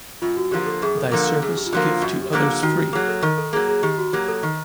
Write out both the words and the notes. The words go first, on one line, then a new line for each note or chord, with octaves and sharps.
Thy service give to others free!
F#2 F4
F#4
D3 F3 A#3 G4
A4
F#2 G#4
A4
D3 F3 A#3 A#4
A4
F#2 G#4
G4
F4
D3 F3 A#3 F#4
F4
F#2 F#4
G4
D3 F3 A#3
G4
D#3 F#4
G4
F#3 A#3 G#4
A4
D#3 A#4
A4
F#3 A#3 G#4
G#4
D#3 G4
F#4
F#3 A#3 G4
A4
D#3